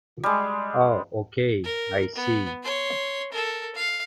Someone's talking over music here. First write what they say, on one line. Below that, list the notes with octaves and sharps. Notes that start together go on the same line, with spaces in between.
Oh okay, I see.
G3 G#3
A#4
B3
C#5 C6
A4 A#4
F5